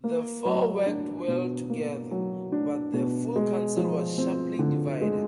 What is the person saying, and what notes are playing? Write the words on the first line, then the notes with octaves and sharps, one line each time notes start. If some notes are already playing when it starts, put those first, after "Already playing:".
The four worked well together, but the full Council was sharply divided.
A#3
F#3
D4
B2
A#3
F#3
D4
B2
G#3
F3
C4
D3
G#3